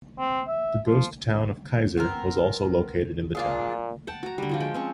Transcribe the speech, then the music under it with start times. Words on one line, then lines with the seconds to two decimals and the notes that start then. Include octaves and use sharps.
The ghost town of Kaiser was also located in the town.
0.19 C4
0.48 E5
0.86 F3
1.97 B3 C4 A#4
3.35 A#2 D4 F4 G#4
4.07 F#5 G5 A5
4.23 F#4 A#5
4.38 D3 G3
4.49 F3 F4 F#4
4.60 G#3 G5
4.74 C4 C#4 C#6